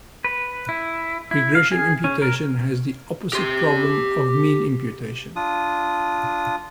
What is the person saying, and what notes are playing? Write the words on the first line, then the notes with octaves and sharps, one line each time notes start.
Regression imputation has the opposite problem of mean imputation.
B4
E4
E4
F5
G#4
C#4
A#4
G4 C6
D4 F4 D#6